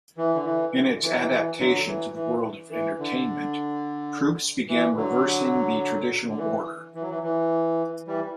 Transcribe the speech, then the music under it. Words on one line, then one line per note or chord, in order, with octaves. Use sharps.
In its adaptation to the world of entertainment, troupes began reversing the traditional order.
E3
D3
E3
D3
E3
F#3
E3
E3
D3 F#3
E3
E3
E3
D3
E3
D3 F#3
D3
E3
E3
F#3
E3
E3
E3 G3